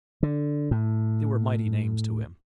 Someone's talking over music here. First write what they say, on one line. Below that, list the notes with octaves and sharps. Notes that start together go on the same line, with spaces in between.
They were mighty names to him.
D3
A2